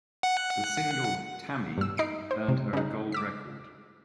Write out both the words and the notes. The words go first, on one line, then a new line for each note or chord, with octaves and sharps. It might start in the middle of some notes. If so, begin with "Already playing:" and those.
The single "Tammy" earned her a gold record.
F#5
G2 E6
D#4 C7 D7
C5
C3
C#3 D#4
D6 E6 B6